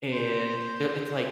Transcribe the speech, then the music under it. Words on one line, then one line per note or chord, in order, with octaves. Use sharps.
and they'll it's like,
C5